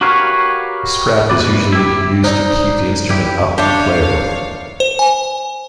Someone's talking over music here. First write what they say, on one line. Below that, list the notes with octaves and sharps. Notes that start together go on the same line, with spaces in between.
A strap is usually used to keep the instrument up and playable.
F#4 G4 A#4 B4 C#5 F5
B1 A#2 B4 D5
E4 G4
D#4 C5 D5
E4 G4
D4 C5 C#5 E5 F5 D6
C5
G#5